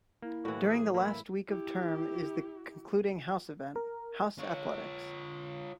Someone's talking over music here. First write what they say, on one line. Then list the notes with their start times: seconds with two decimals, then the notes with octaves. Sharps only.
During the last week of term is the concluding House Event, House Athletics.
0.22 A#3 E4
0.45 A2 E3 F#4
0.69 F#4 G#4
0.81 F#3
0.94 A#3 E4
1.49 E4 G4
3.76 A#4
4.39 F4 C#5